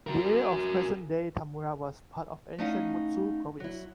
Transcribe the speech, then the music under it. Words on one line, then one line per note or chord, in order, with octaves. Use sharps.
The area of present-day Tamura was part of ancient Mutsu Province.
F#4 A#4
A3 C#4 D#4 E4 F5 F#5
F#3 E4